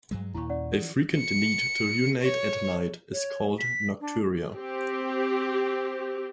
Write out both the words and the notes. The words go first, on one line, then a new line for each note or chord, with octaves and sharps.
A frequent need to urinate at night is called nocturia.
G2 F#3 G#3
D#2 A#2 E4 C#6
C#4 D5 F#5
E3 F3 A4
C#7
C#5
C#5
B6
D4
C4 G4